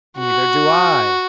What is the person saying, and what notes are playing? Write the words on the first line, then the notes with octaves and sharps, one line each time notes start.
"Neither do I."
F#4